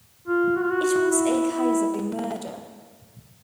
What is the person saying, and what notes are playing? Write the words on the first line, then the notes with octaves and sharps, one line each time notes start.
It was a case of a murder.
F4
F#4
F4
F#4
F#4
E4
E4